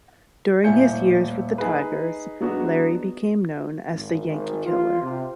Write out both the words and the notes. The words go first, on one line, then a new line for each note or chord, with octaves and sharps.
During his years with the Tigers, Lary became known as The Yankee Killer.
D#1 A2 E5 G#5 G6 C#7
D#4 G#4 B4
F#3 G#3 B3 D4 F#4
G#1
G#1
F4
C3